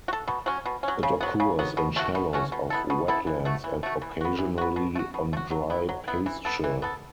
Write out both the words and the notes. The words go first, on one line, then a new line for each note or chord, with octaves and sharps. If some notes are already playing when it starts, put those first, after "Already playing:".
It occurs in shallows of wetlands and occasionally on dry pasture.
F#4
A4
B2
F#3 C#4
B2
F#3 C#4
C#3
F#3 B3
C#3
F#3 B3
B2
A3 C#4 F#4
B2
A3 C#4 F#4
B2
B3 E4 A4
B2
B3 E4 A4
E3
A3 F#4
E3
A3 F#4
E3
B3 F#4
E3
B3 F#4
B2
A3
F#4
B2
A3
F#4
F#3
B3 E4
F#3
B3 E4
E3
B3 A4
E3
B3 A4